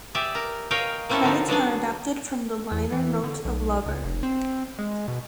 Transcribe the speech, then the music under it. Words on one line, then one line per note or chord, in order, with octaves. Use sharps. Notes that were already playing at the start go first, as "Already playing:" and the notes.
Credits are adapted from the liner notes of "Lover".
G4 G#4 D5 E5
A#4
G#4 A#4 C#5 D#5 F5 G5
A#3 C4 C#4 E4 A4
D3 F3 F#3 D#4
F#3 B3 D4 G#4
E2
E3
D3
B1
C#2
F1
C4
G#3
B2